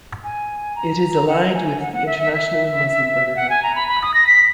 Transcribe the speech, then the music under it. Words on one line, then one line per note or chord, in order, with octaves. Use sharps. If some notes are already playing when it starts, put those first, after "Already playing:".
It is aligned with the international Muslim Brotherhood.
G#5
A#5
F#5
A#5
G#5
F#5
F#5
E5
E5
E5
F#5
G#5
A#5
B5
B5
D#6
A#6
B6